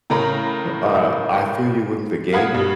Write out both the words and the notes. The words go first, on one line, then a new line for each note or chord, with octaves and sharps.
uh, I feel you with the gaming.
A2 C#3 A#4 A#5 B5
F5 F#5 B5 D#6 G#6
G2